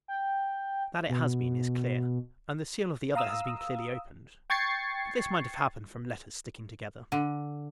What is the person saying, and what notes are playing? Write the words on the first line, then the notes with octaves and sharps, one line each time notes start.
That it has been, is clear: and the seal of the other has been clearly opened; but this might have happened from letters sticking together.
G5
B2
F5 A#5 D#6 E6
G5 C#6 G#6 A6 C7 C#7
D3